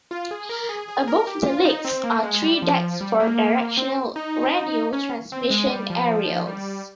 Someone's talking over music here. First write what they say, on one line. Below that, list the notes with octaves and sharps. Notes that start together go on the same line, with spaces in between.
Above the legs are three decks for directional radio transmission aerials.
F4
G#4
A#4
G#4
G#4
A#4
G4
F4
D#4
C4
A#3
G#3
G3
F3
G3
A#3
C4
D#4
C#4
C4
G#3
G3
F3
G3